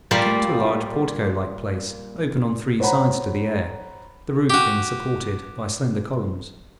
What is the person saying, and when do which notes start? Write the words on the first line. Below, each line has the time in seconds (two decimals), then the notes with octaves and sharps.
We came to a large portico-like place open on three sides to the air, the roof being supported by slender columns.
0.11 A#2 G3 A#3
2.80 C5 C#5 F#5 A#5 B5
4.50 F#4 G4